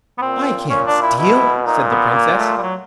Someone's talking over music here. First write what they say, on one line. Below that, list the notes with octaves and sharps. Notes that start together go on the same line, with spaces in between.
'I can't steal', said the Princess.
B3
A#2 C4
A#2 C#4
D4
E4
B2 E4
A#2 D#4
B3
B3
A#3
A3
G3
F#3